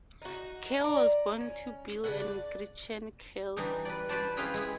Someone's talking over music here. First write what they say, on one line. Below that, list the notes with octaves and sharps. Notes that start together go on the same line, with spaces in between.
Curl was born to Bill and Gretchen Curl.
D#4 F#4
D5 A#5
C#4
C#3 D4 B4 F#5
D5
E3 G3 D4 D#4
B4 D5
B4 C5 D5 A5
E4 G4 G#4 B4 F5 C6
G#3 E4 G#4